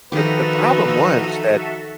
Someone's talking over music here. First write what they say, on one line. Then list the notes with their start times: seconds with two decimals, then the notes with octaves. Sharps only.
the the problem was that
0.12 D#3 F3 D#4 F#4 G4 A4 B4 E5